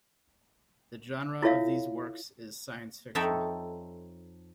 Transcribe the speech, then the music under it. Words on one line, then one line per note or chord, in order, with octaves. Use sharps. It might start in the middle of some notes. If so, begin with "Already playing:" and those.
The genre of these works is science fiction.
E4 F4 A4 C#5 E5 F5
F2 D#4 A4 C#5 E5 G5